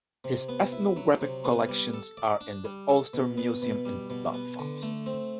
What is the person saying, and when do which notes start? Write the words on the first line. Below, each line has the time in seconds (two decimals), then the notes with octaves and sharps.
His ethnographic collections are in the Ulster Museum in Belfast.
0.24 C3
0.49 B3
0.72 E4
0.96 F#3
1.21 C3
1.44 B3
1.69 G3
1.94 A4
2.17 D5
2.41 D4
2.65 G3
2.89 A4
3.13 B2
3.37 B3
3.62 B2
3.85 G3
4.10 B2
4.34 B3
4.59 D3
4.83 A3
5.06 C4